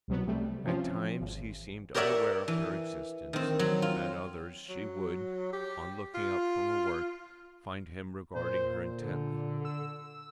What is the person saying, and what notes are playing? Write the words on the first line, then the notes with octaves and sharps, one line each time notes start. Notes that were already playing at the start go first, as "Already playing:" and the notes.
At times he seemed unaware of her existence; at others she would, on looking up from her work, find him regarding her intently.
C2 B2 F#3 B3
C3 G3 A3
C3 E3 F3 C4 C#4
G#1
G4 A#4 C#5 D5 E5 F#5
E3
D#3 C4
F#3
F4
F#3
G4
F4
A#2 C5
D3
E6